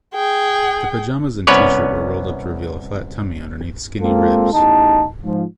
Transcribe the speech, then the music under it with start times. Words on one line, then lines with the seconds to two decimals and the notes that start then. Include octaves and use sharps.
The pajamas and T-shirt were rolled up to reveal a flat tummy underneath skinny ribs.
0.14 G#4 G5
1.47 C2 B3 C#4 B4 C#5 D5
4.01 G#3 A#3 C4 F4 A4
4.53 A1 E2 D#4 A5
5.24 G#2 F3